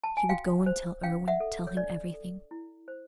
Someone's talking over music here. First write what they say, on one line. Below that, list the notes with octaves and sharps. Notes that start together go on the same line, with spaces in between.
He would go and tell Irwine--tell him everything.
A5
G#5
F#4 F5 G5
C5
C#4 F5 G5
E5 F#5
A4
C#5
D4 D5
A4
E4
C5